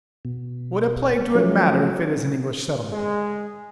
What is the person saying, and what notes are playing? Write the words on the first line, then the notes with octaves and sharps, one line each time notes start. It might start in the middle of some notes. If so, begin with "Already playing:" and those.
What a plague do it matter if it is an English settlement?
B2
F3 F#3 A3 C#4
G#3